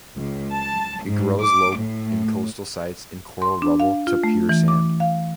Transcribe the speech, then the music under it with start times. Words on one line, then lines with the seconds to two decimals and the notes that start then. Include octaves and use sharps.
It grows low in coastal sites in coral rubble to pure sand.
0.17 C#2
0.52 A5
1.03 G#2
1.42 D6
1.76 A2
3.42 C6
3.62 D4
3.80 F5
4.07 F4
4.23 A3
4.49 E3
4.68 D6
5.00 F5